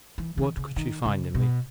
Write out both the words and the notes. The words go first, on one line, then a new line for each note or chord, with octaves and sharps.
What could she find in me?
E3
D#3
C#3
D#3
C#3
B2